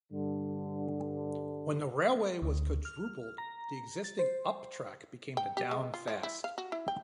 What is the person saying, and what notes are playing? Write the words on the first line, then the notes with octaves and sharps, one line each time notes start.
When the railway was quadrupled, the existing up track became the down fast.
G2 D3
D2
F6
A#5
A6
C5
G5
G4
G#3
F4
F3
E4
F5
F#4
E4
G5